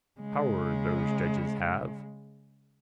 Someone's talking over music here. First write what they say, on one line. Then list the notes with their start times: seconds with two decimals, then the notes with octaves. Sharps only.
Power those judges have.
0.20 C#3 G#3